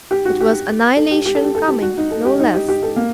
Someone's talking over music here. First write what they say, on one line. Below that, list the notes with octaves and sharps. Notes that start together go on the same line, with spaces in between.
It was annihilation coming--no less.
G4
F#4
G4
A4
G4
G4
A4
G4
A4
G4
F#4
D#4
A4
G4
D#4
G4
G4
A4
A#3